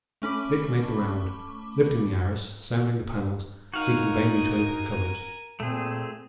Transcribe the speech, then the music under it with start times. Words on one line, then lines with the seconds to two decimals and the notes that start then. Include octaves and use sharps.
Dick made the round, lifting the arras, sounding the panels, seeking vainly to open the cupboards.
0.22 A3 C#4 B5 D6
3.74 D#4 F#4 A#4 F5 G#5
5.60 A#2 A3 C4 G#4